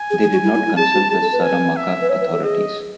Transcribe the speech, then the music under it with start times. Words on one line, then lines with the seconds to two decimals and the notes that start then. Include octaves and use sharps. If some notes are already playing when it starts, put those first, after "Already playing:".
They did not consult the Saramaka authorities.
Already playing: G#5
0.10 G#4
0.21 G#4
0.32 F#4
0.44 E4
0.54 E4
0.66 E4
0.77 G#4 A5
0.94 F#4
1.10 G#4 A5
1.22 A4
1.32 B4
1.43 G#5
1.76 E5
2.01 B4
2.10 C#5 E5
2.21 B4
2.32 A4
2.43 G#4 D#5